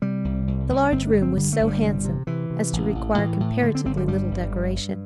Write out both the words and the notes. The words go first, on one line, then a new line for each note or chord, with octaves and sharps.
The large room was so handsome as to require comparatively little decoration.
C3 G3
C2
C2
C2
G1 C4
D4
G2
C4
D3 G3
A3
G1
G3
C3
C3
C3 E3
C3
A1
A1
A2 E3
A2
D3 A3
C4
G1 C4
G3
G2 G3
G1
G2
G2